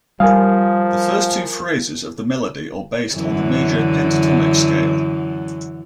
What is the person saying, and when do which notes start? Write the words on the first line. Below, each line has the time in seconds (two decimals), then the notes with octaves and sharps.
The first two phrases of the melody are based on the major pentatonic scale.
0.20 F3 G3 A#4 F5 G#5 D#6
3.14 F#2 D3 E3